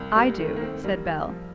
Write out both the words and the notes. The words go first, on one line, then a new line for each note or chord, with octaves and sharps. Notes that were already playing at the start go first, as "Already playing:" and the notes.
"I do," said Bell.
Already playing: C2
G3 A#3
D#3 A3
A#3
A3 C4
A#1 G3 A#3
F3